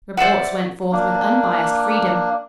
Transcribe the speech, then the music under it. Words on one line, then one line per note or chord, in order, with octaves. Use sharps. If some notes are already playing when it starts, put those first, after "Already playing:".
Reports went forth with unbiased freedom.
C5 D5 E5 F#5
A#3 D4